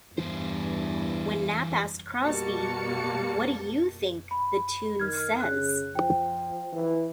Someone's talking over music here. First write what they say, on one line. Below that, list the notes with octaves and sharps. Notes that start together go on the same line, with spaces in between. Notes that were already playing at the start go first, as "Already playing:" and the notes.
When Knapp asked Crosby, What do you think the tune says?
E2 G2 E3 C5
B2 G3 A#3 F#4 A5 C#7
B5
D#3 F6 G#6
C#3 F#6
F3 G5
E3